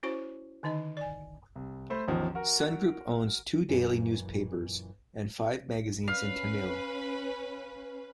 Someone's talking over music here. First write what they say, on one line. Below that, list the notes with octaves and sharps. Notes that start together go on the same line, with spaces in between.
Sun Group owns two daily newspapers and five magazines in Tamil.
C#4 E4 F#4 C5 C#5 C#6
D3 D#3 D#4 D#5 B5
D5 G#5
C2
A3 C5 B5
A1 E2 D#3 F3
F#4 A#4
F#2 A#2 E3
C#4 B4 F5